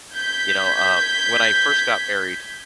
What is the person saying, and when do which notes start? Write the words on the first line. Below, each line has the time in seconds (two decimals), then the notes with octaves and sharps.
You know, um, when I first got married,
0.14 G6 G#6 B6